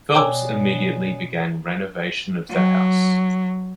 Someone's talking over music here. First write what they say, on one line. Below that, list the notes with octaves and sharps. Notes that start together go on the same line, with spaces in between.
Phelps immediately began renovation of the house.
B2 C#5 D5 G5 G#5 D6 E6
F#3